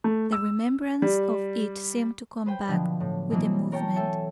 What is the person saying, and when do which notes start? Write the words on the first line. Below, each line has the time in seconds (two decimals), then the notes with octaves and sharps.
The remembrance of it seemed to come back with the movement.
0.04 A3
0.32 E6
1.02 G3
2.46 B4 C5 G5
2.68 B2 D3 F3 F#3
3.00 A2
3.31 B2 E3 F#3 A#3 C4
3.72 A#4 C#5 G5 A5
3.96 A4 E5 G5 G#5